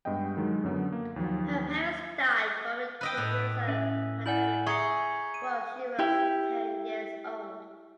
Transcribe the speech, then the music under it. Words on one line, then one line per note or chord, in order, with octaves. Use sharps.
Her parents died from an influenza pandemic was she was ten years old.
G2 G#3 B3 D#5 G5
D#3 F#3 G#3
F#2 D3 F#3 B3
A#3
D#2 F3 F#3
B4 D#5 G5 D#6 E6 F#6
A2
C#4 E5
E4 D5 F#5 G#5 G6 F#7
G#4 E5 A#5 C#6 D#6 C#7
D#7
E4 G4